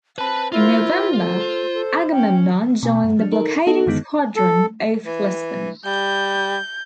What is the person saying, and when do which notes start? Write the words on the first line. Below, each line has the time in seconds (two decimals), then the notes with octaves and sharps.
In November, "Agamemnon" joined the blockading squadron off Lisbon.
0.18 C4 B4 A5 B5
0.52 E4 F4 A#4 C5
1.19 A4 C5
1.74 A4
2.12 C#4 G5
2.83 B2 G#5
3.04 G2
3.19 F#3 D4
3.32 D#4 A4 A#4
3.67 B3 D#4 F#4 A4 D#5
3.86 F#2 D3 D#3 G#3 B3 D#4
4.36 A4
5.06 E3
5.85 G3 G6